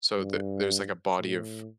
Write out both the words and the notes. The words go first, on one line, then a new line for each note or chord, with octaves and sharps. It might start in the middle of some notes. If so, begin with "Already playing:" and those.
so the there's, like, a body of
G2
A2